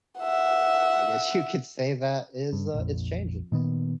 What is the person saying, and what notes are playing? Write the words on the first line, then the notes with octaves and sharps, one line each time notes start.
I guess you could say, that is, uh it's changing, man,
E5 F#5
G2
A#1 F2
A#2 D#3 B3